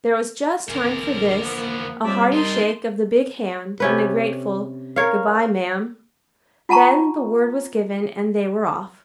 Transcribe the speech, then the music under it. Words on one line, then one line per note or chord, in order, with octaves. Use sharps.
There was just time for this, a hearty shake of the big hand, and a grateful "Good-by, ma'am;" then the word was given, and they were off.
A#1 E2 D3 A#4
F3 A#3 B3
C#3 G3 C4 F4 D5 E5
C4 D#4 A#4 D#5 A5 C6
C3 C#4 B4
A#4 C#5 F5
F4 F#5 A5 A#5 C#6